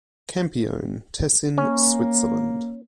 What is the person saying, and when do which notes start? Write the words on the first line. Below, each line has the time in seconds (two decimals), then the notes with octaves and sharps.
Campione, Tessin, Switzerland.
1.58 A#3 C#4